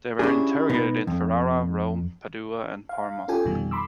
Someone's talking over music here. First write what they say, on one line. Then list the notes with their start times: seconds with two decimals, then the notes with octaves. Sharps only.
They were interrogated in Ferrara, Rome, Padua and Parma.
0.19 C#4 D4 E4 G4 G#4
0.69 B2 B3 D#4 A#4
1.07 F2
2.89 F5
3.28 C#4 F4 G4 A4 G5 G#5
3.45 A#1 F2 B2 D#3 G3
3.71 B5 C6 D6 E6